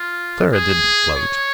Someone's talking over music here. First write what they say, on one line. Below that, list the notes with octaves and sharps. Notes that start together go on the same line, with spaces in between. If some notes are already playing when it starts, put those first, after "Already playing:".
Clara didn't gloat.
Already playing: F4
G#4
C#5